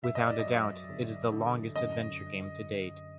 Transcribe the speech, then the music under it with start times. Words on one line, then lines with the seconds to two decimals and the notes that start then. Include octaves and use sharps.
Without a doubt, it is the longest adventure game to date.
0.03 F#2 E5
0.15 D#5
0.27 D5
0.39 D#5
0.46 F#3
0.89 G1
1.32 D3
1.75 F#2 D#5